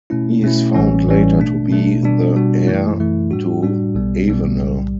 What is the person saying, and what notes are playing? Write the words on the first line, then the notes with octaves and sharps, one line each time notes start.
He is found later to be the heir to Avenel.
B2 A3 C#4 E4
B2 A3 C#4 E4
A1 A2 E3 G3 C#4
A1 A2 E3 G3 C#4
B2 A3 D4
B2 A3 D4
B2 G3 D4 F#4
B2 G3 D4 F#4
F#2 E3 A3 E4
F#2 E3 A3 E4
A2 G3 D4 F#4
A2 G3 D4 F#4
B1 B2 G3 B3
B1 B2 G3 B3
B1 A2 G3